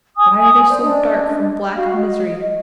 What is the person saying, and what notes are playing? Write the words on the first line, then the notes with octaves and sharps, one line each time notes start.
Why are they so dark from black misery?
G#5 D#6
C5 D5
C#4 D4 D#5
F#4 F5
D#5